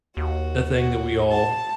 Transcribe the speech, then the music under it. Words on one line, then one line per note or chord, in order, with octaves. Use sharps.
the thing that we all
D#2 F#4
F#4
A5